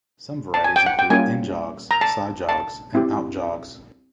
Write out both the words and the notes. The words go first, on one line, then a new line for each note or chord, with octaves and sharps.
Some varieties include 'in jogs', 'side jogs', and 'out jogs'.
A5
G#5
G5
F#5
G5
G3 A#3 C#4 F4 G#5
A#5
A5
A5
C4 E4 G4